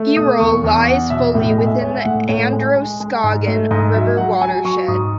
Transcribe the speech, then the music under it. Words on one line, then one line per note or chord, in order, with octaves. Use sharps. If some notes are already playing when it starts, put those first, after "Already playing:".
Errol lies fully within the Androscoggin River watershed.
Already playing: A3
B2 D#6
E2 C#6
E2
E2 F#5
B2 E5
A2 E5
D#5
G#3
E5
G#3 C#5
E5
A2 F#5
A2 C#5
G#3
G#3
G#3
G#2
A3
G#2 D#5
F#3 E5
F#3 F#5
F#3 G#5
F#3 C#6
G#2 D#6